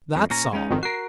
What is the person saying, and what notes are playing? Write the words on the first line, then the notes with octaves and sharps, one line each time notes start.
That's all.
F2
A#2 C#4 A#5
G#3 C#4 D#4
G#1 F2 D#3
F#4 A#4 C7